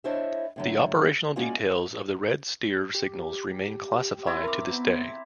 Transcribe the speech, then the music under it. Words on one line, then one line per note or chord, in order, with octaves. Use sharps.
The operational details of the Red Steer signals remain classified to this day.
D4 E4 C5 C#5 D#5 E5
A2 D3 F#3
G#3 A#3 C#4 F4 F#4 D5
G4
C4 E4
A#4 A#5 D6
B3